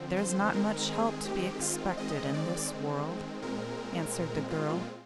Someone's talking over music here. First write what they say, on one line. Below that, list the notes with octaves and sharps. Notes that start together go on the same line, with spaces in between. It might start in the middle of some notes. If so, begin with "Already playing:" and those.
'There's not much help to be expected in this world,' answered the girl.
Already playing: D3 F3 C4
C5
D#3 G#3 C4 A#4
G#4
G4
F4
D#3 G#3 C4 D#5
D5
A#2 G#3 C4 A#4
F4